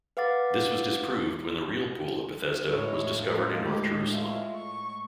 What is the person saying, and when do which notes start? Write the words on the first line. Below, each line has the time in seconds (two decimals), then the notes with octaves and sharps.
This was disproved when the real Pool of Bethesda was discovered in north Jerusalem.
0.17 B4 F5 F#5 D6 A6
2.69 A2 G#3 E4 C#5
3.21 F4 A#4
3.63 G4
4.12 F4 E5
4.55 C#6